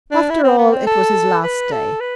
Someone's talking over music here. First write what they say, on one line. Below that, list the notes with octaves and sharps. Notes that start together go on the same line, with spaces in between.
After all it was his last day.
D4
E4
C4
B3
C4
A4
B4
A4
B4